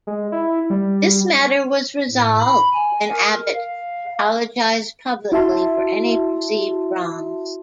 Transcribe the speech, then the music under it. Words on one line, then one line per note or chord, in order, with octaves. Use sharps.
This matter was resolved when Abbott apologized publicly for any perceived wrongs.
G#3
E4
G3
A2
B5
G#5
A#4
F5
E4 F#4 E5 A5 C6